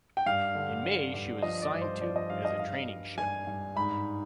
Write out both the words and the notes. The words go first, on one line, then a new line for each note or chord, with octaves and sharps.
In May she was assigned to as a training ship.
G5
G2 F5
D3
D3
G2
F3 D#5
D5
G2
C5
F3 D5
D#5
G2 F5
D#5
G2 F5
G3
G2 G#5
G2
G#2 B5